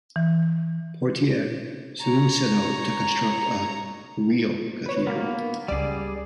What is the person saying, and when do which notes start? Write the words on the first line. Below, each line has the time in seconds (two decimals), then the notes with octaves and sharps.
Portier soon set out to construct a "real" cathedral.
0.16 E3
2.01 C#5 A#5
4.86 B4 C#5
5.07 F#3 A#3 B3 A#4
5.68 C#2 G3 G#4 D5